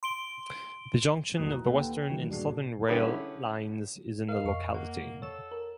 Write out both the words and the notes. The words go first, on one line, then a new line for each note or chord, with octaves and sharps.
The junction of the western and southern rail lines is in the locality.
C6 D7 G7
D#1 B1 E2 A2 D#6 F#6
A#5
D#2 A4 B4 F#5 G5
G5
A2 D#3 E3 F#3
D#1 G2 D4 F#4 G#4 C7
D3 C#4 E4 G4 G#4 B4
A#4 D#5 F5
F2 C#6
A#3 F#5
A4 C#5 E7
A#4